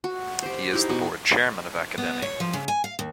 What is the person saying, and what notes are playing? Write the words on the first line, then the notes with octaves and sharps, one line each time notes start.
He is the board chairman of Academi.
F#4
G4 C5
D#4 E4 G4 F5
B2 F#4
B3
C#5
F3
C#3
G#5
F5
D#2